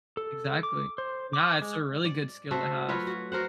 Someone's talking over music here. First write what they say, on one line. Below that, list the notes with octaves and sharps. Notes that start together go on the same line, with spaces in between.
Exactly, yeah, it's a really good skill to have.
A4
D6
C5
D6
G#3
D5
A3 F#4 A4 C5
F#3 F4 B4 C#5
F#4
F#4 A#4 C5 F#5